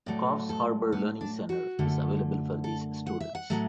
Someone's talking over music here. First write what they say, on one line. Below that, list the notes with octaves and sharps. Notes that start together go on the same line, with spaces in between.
Coffs Harbour Learning Centre is available for these students.
A2 F#3 A3 D5
A4
B3
D4
F#4
F#2 D3 A3
A4
F#5
E5
F#5
A2 F#3 A3